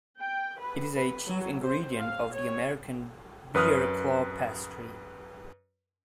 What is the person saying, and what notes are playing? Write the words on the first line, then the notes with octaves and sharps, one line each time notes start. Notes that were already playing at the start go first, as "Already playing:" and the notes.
It is a chief ingredient of the American bear claw pastry.
G5
B4
B4
F#3
C5
F5
C#5
F#2 B4 D#6 F6 F#6